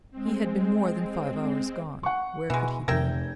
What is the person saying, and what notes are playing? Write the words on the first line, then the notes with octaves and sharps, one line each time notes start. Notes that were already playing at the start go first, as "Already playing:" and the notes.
He had been more than five hours gone: where could he be?
G#3 C4
F#5 C#6
B2 E3 G#3
F1 F2 C3 A#4 E5 G5 G#6